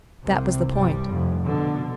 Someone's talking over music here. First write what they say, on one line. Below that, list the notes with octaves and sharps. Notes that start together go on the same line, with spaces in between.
That was the point.
C2 C3
C2 G2 G3
F1 F2
B2 D3